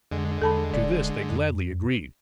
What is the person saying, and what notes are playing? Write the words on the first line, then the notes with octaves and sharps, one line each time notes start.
To this they gladly agreed.
F2 D3 G#3
E2 A4 A5 B5
E1 D5
F2